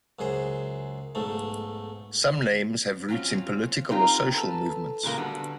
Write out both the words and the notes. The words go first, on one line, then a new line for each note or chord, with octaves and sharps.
Some names have roots in political or social movements.
C#2 F#2 G#4 C5
B1 G#2 A3
F#3 C4 C#4 F4
F#3 C4 D#4 F4 G4 A#4
A4 B4
A#2 C#3 G#3 A#3
D3 G3 B3 F#4